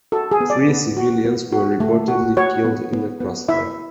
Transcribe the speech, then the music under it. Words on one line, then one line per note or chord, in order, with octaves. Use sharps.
Three civilians were reportedly killed in the crossfire.
F#4 A4
G#4
B3
D5
B3
F#4
B3
F#4
A3
F#4
F#4 C#5
B3
B3
B3
E4 E5